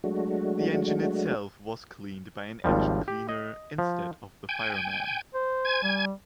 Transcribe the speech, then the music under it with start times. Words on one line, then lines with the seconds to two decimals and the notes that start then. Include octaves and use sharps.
The engine itself was cleaned by an engine cleaner instead of the fireman.
0.04 F#3 G#3 A3 D4 F#4
2.64 G#1 D#2 F3 G3
3.08 G4
3.29 D#5
3.78 F3
4.49 G5 G#5
5.34 C5
5.65 G#5 G#6
5.83 G3